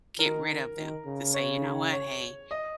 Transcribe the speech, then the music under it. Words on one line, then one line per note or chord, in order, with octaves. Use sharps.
get rid of them, to say, "You know what, hey,
D#3 A#4
D#3
C#3
C#5
C#5
D#5